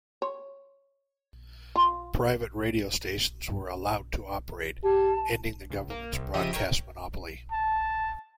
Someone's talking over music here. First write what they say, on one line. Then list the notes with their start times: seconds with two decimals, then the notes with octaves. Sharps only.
Private radio stations were allowed to operate, ending the government's broadcast monopoly.
0.22 C#5
1.75 F4
4.84 G4 A5
5.70 C#2
5.90 A#3
6.12 C2
6.34 C#3 F3 G4 D#5 E5 D#7
6.51 A#4 C#5 G5
7.52 A5